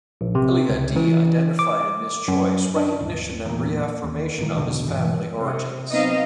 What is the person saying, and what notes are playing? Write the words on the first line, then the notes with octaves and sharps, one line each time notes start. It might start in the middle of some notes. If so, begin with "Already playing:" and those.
Ilaiah d identified in this choice recognition and reaffirmation of his family origins.
A#1
C3
C#2
E3
D6
F#2
D4
D1 G1
E2 A#2
D#2
B1 A2 D#3
A#1 E2 B2 D3
E1 G2 B2 E3
C3
F#3 B3 C4 D#4 D#5 F5